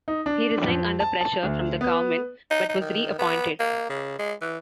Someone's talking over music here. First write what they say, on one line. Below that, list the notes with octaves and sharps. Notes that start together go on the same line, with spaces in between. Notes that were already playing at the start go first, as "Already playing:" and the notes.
He resigned under pressure from the government but was re-appointed.
D#4
D4
F2
A5
A5
D2
B3
D#4
D#4
D#3
B3
A#3
C#3
G#3
E3